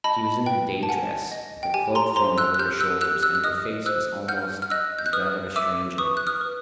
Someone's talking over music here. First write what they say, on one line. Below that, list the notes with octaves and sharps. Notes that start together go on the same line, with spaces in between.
She was in her day-dress, with a cloak thrown over her shoulders, and her face was almost as that of a stranger.
D#5 A5 B5
B4 G5
A5
F#5 G#5
D#5
G5
G4 G#5
A#5 C6
C5 A#5 C6
E6 F#6
F#6
G4 F6 G6
E6 F#6
G4 E6 F#6
E6 F#6
F#6
D#5 D#6 F6
C5 E6 F#6
F#5 F6 G6
F6
D#5 E6 F#6
G6
F#6
B4 D#6 F6
E5 D6 E6
B4 C#6 D#6
F#6
D#6 F6
B4